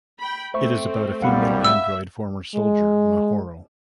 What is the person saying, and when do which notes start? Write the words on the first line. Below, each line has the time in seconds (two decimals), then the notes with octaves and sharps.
It is about a female android former soldier, Mahoro.
0.19 G5 B5
0.54 A3 C4 C5 E5 C#6
1.22 C2 F#2 G3 F5 F#5 B5
1.64 E5 E6
2.55 G#3